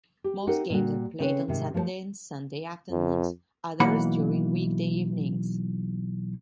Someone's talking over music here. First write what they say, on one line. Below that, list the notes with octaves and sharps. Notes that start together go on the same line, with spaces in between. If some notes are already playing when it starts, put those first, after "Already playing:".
Most games are played on Saturday and Sunday afternoons; others during weekday evenings.
G4
C4 D#4 G4 A#4 F#5
A#2 G3 F#4
C#3 C4 A4 B4 C#5
G#2 C3 D#3
F3 A3 B4 C5 A5
F2
B1 E3 A#3 F#5 B5